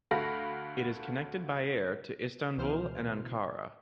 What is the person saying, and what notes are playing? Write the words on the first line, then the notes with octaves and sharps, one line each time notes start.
It is connected by air to Istanbul and Ankara.
D2 A3 F#4 F5 B5 A#6
C#2 B2 E3 C5 F6